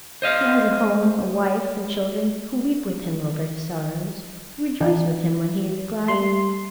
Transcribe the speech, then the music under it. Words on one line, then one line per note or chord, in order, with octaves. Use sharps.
He has a home, a wife, and children, who weep with him over his sorrows, who rejoice with him when he is glad.
C5 D#5 F5
E3 D4 D#4
G3 C6